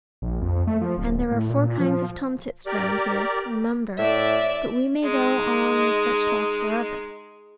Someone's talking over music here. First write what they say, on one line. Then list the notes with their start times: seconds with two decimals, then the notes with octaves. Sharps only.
And there are four kinds of tomtits round here, remember: but we may go on with such talk for ever.
0.22 A#1
0.42 F2
0.67 A3
0.81 F3
0.97 D1
1.31 A2
1.50 A#2
1.80 F3
2.66 G4 A#4 D5
3.98 A2 D5 E5
5.04 G#3 D#4